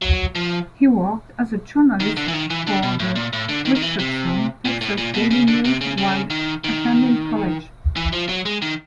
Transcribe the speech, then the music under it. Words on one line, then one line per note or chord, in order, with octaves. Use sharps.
He worked as a journalist for the Richardson, Texas, Daily News while attending college.
F#3
F3
D#3
D3
E3
D#3
E3
D3
B2
A2
A#2
A2
D3
D#3
D#3
E3
C3
A#2
A2
A#2
B2
C#3
D3
C3
C#3
C#3
D#3
D#3
E3
F3
F#3
G#3
D#3